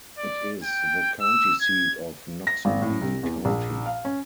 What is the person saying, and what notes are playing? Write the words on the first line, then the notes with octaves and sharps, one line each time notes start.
It is the county seat of Noxubee County.
D5
G5
E6
G#6
A#6
G#1
A2
C2
E2
A#1
F5
C#4